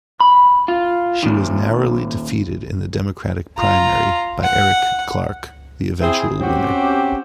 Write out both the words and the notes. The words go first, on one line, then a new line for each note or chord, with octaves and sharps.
She was narrowly defeated in the Democratic primary by Eric Clark, the eventual winner.
B5
F4
A#2 D#3
F4 A#5
F#5
C4 E4 G#4
C4 C#4 F#4 G4